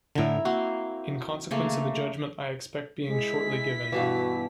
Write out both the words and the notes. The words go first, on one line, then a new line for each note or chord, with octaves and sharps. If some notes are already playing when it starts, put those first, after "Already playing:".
In consequence of the judgment I expect being shortly given.
A2 D3 E4 A#4
A#3 C4 F#4 C6
C#3 A3 A#3
G#3 E4 B6
G2 B2 E3 F#4